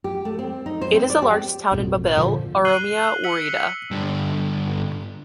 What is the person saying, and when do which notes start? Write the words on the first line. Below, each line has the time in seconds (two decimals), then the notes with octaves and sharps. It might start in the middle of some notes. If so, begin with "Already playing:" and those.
It is the largest town in Babille, Oromia woreda.
0.04 G4
0.25 A3
0.39 C4
0.66 D#4
0.81 C5
0.93 C4
1.10 D5
1.22 G4
1.72 A1 F2 B2
2.17 F2 A#2 D3 F3
2.65 F#6 C7 D#7 F#7 G7
3.24 E6 B6 C#7 F#7
3.91 G2 D3